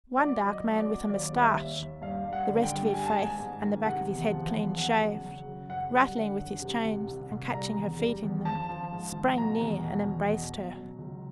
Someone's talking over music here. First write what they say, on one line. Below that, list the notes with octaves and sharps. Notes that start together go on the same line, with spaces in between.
One dark man with a moustache, the rest of his face and the back of his head clean shaved, rattling with his chains and catching her feet in them, sprang near and embraced her.
F#3 D5
F#3
D#5
F#3
D5
F#3
D#2 D5
G3
E5
D#2
D#2
G2 F5
G2
F#5
D3
G5
G2
G3 G#5
A5
G#2 G#5
G#2
D#3
C3 F#5
E2
F3
E2
F#3 F#5
C#3
F#3
C#3
F#2 F#5
G3
D3
F#2
C3
C2
C2
C2
G3 A#5
E2
G3
E2
F3 A5
F3
G#2
F3
B2 A#5
E2
B2
E2
B2
B2
F#3
C#2